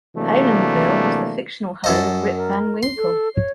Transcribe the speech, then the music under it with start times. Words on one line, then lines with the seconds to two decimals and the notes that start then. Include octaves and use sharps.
Palenville was the fictional home of Rip Van Winkle.
0.15 C3 E3 F#3 A3 A#3 D4
1.84 F#2 A4 D#5
2.35 A#4
2.83 C6
2.97 A4
3.35 C#5